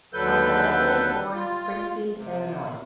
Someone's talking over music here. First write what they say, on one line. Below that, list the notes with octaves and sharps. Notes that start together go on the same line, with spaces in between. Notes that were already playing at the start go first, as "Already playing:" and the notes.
Ohalete born Springfield, Illinois.
D#2 D3 F#3 A4 B4 G6
F4
C3